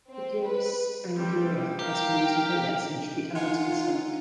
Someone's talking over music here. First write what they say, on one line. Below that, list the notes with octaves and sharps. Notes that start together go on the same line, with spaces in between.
"Cucumis anguria" has been used in folk medicine to treat ailments of the stomach.
C4
B4
G3 C4 G5
G4 A#4 F5 G5
D#4 F4 F#5 G#5